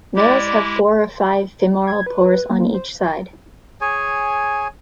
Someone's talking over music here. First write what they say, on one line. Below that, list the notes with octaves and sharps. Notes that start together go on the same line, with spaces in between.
Males have four or five femoral pores on each side.
G#3 E4 G4 D5 D6
G#6
B4
A#3
C5
G#4 C#5 G#5